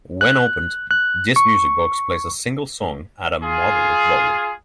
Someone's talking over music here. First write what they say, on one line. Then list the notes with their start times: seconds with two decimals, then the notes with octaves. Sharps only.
When opened, this music box plays a single song at a moderate volume.
0.21 F#6
0.91 F#6
1.36 C#6
3.43 F4 G#4